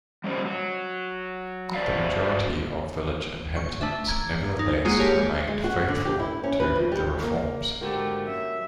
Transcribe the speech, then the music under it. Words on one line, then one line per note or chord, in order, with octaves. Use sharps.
The majority of village inhabitants, nevertheless, remained faithful to the Reforms.
G3 C#4 C5 D#5
F#3
D4 F#4 C5 D5 E5 F5
C#6
A3 D4 E5
A#5 G#6
D#4
F#3 G#3 A#3 F4 F#4 G#4
G#3 G4 A#4 C#5 A5 B6
G#3
F#4
D3
G4
E4
C#4
B4
F2
G3
C#3 A#3
G#2 D3 A3 F#4 G4 A#4
F#2 E5